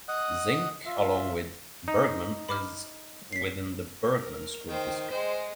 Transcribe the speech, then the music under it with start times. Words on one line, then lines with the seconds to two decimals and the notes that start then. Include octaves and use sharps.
Zinc, along with Bergman, is within the Bergman School District.
0.08 D#5 F#5 D#6 F#6
0.86 F4 E5
1.88 D#4
2.49 B5 D6 F6
3.33 B6 C7
4.17 A#4
4.68 D#3 C5 G5
5.11 G#3 C5